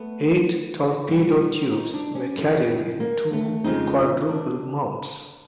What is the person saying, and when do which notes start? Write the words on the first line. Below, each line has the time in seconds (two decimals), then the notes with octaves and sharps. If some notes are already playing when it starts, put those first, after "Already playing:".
Eight torpedo tubes were carried in two quadruple mounts.
Already playing: A3 B3
1.08 B2 G3
1.72 D#4
1.93 D4
2.15 C#4
2.36 F#2 C#3 E3
3.00 A#3
3.33 A3
3.64 F2 C#3 F3 G#3 D#4
4.29 D4